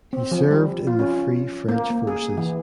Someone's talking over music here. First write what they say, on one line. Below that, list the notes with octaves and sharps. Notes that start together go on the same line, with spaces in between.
He served in the Free French Forces.
C4
F3
G3
F4
C#4
A#3
A#3
G#4
E3